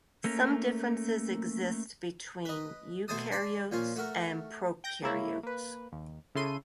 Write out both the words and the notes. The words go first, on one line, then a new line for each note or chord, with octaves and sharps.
Some differences exist between eukaryotes and prokaryotes.
A3 A#3 C#4 A#4
B4 D#5
B2 A3 C5 G#5 A5 D#6
D5 A5 B5 C6
A#2 F3 C#4 F4
A3 F#4 A#4
G5 G6 A#6
G#3 A#3 E4 C#5
A#3 B4
D#2
C#3 E4 A4 C6 D#7